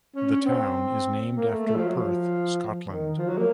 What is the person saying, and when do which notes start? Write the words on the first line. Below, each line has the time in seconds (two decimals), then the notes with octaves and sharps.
The town is named after Perth, Scotland.
0.16 C#4
0.31 C#4
0.46 C4
1.37 A#3
1.51 A3
1.67 A3
1.76 F3
1.87 F#3
1.97 F3
2.87 D#3
3.18 F3
3.28 F#3
3.38 A#3